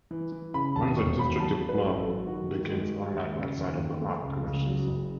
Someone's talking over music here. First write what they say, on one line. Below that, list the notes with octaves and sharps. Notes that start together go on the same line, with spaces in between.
When the destructive flood begins, all life outside of the ark perishes.
E3
E3
C#3 B5
D#2 A5
E1 C#6
D#2 B5
F#3 A5
F#3
B4
A1
A4
F#3
D#3 F#4
D#3
G#3
G#3
D#2
C#3
D#2
D#2
A3
C#2
C#2
F#3
F#1